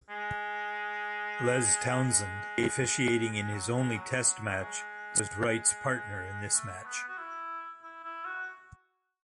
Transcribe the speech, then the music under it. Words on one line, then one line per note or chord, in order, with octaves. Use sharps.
Les Townsend, officiating in his only Test match, was Wright's partner in this match.
G#3
G#3
G#3
F#3
G#3
F#3
G#3
A3
A3
B3
F#4
E4
E4
E4
F#4